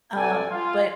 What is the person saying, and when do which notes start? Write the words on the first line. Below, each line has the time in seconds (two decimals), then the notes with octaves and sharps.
Um, but
0.16 G2 C3 A4 D5 G#5
0.50 F4